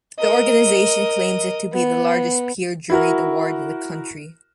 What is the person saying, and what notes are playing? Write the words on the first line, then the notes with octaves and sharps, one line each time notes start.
The organization claims it to be the largest peer-juried award in the country.
A#4 D#5
B3
E4 F#4 A#4